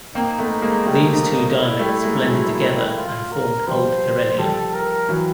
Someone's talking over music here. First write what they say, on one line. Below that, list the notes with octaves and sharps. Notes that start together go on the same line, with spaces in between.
These two dialects blended together and formed Old Karelian.
A#3 C4 D#4
A3 B3
G#3 A#3
G3 A3
E4
G3 A3
G#3 A#3
F#3 G#3
F4
A#4
F3 G3 C5
F3 G3 A4
A#4
E3 F#3